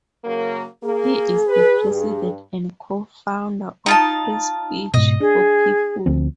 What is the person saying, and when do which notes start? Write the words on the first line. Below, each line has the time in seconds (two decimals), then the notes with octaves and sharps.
He is the President and Co-Founder of Free Speech for People.
0.24 C#3 F#3 A#3
0.83 A#3 G#4
1.47 B4
1.84 G2
3.86 D#4 F4 A5
4.94 G#2 B2 D#5
5.20 D4 G#4
6.06 D2 F3 C4